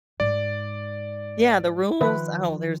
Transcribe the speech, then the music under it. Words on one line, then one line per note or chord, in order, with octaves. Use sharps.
Yeah, the rules? Oh, there's
G#2 D5
D#3 F3 B4 E5